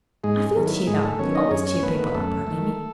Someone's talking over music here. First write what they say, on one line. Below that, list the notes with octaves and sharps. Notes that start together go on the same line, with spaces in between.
I feel cheered up--you always cheer people up, Aunt Emmy.
G#2 G#3 G#4
D#3 F#3 B3
E4
G#2 G#3 G#4
A3 A4
D#3 F#3 B3 C#4 C#5
D#4 D#5
F#2 C#4 C#5
C#4 C#5
D#3 A3 B3 B4
B3 B4
F#2 A3 A4
D#3 A3